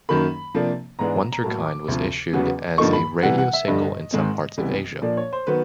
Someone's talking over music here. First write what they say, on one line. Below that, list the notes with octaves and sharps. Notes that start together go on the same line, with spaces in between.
"Wunderkind" was issued as a radio single in some parts of Asia.
F#2 D#3 F#3 A#3 B5
C3 F3 A#3 D4
G#2 E3 G#3 B3 D4 A#5
A#5
A2 F#3 A#3 A5
D6
D2 C3 F3
E2 C#3 F#3 B3
G2 D3 F3 A#3 D#4 C#6
B5
C3 E3 G3 F#5
F#5
E5
G2 D3 G3 D#5
G#2 D#3 G#3 C4
C#2 C3 E3 G3 B3
A#2 F3 A#3 D4 D5
C#5
C5
D#3 F#3 B3 B4